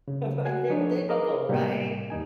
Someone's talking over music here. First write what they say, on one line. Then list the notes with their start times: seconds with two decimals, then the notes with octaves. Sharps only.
but they're diggable, right?
0.08 C#3
0.45 F#4 F#5 G#5
0.69 F3 D4 D#4 A4 C#5
1.09 G#4 A#4 B4 D#5 F5 D6
1.48 A2 C3 G3 A#3 B3 G4
2.10 D#2 G3 D#4 G#5